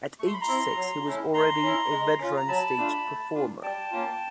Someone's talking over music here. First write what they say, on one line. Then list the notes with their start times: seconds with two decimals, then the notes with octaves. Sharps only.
At age six, he was already a veteran stage performer.
0.19 A3 C#6
0.26 C6
0.34 B5
0.41 A#5 C6
0.48 C4 E4
0.76 F#3
1.05 A3 C#4 E4
1.34 A3 A#5 C6
1.62 C#4 E4
1.91 G#3
2.19 C#4 F4
2.37 A#5
2.48 F#3 A5 B5
2.77 A3 D4 F4
3.06 A3
3.34 D4 F4
3.63 G3 G5 A5
3.91 A#3 C#4 F4